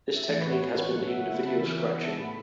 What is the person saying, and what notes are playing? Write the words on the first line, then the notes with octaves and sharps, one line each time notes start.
This technique has been named video scratching.
E5
A2 E3 A3 F#5
B4
C#5
C#5
B4
C#3 F#3 A3 F#5
E5
F#5
B5
A5
C#3 E3 B3 E5
E5
F#5
A5
A2 A3 B5